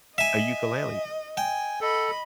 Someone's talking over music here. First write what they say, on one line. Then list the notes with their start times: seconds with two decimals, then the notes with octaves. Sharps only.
a ukulele.
0.18 D#5 E5 G#5
1.37 G5 G#5
1.81 A4 D#5 B5